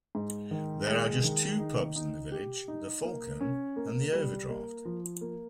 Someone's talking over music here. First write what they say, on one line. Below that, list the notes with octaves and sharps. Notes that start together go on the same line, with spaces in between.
There are just two pubs in the village: "The Falcon" and "The Overdraught".
G#2
D#3
G#3
D#3
D#4
D#4
G4
D#4
A#3
C#4
A#3
G3
A#3
F3
A#3